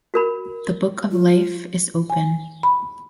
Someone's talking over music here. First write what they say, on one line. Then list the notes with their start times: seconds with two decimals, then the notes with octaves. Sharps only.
The book of life is open.
0.14 F#4 A#4 B5
1.12 F4
2.10 G#5
2.63 B5